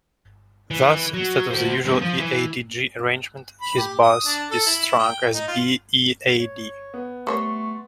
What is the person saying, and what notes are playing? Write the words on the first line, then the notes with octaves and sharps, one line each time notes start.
Thus, instead of the usual E-A-D-G arrangement, his bass is strung as B-E-A-D.
E3
F#3
F#4 C5
E2 G2
F3
E3
B5
G4
D#6
D4
A4
E4
G5
D#4
F4
C#5
B3
G3 A3 C5 C#5 C6 C#6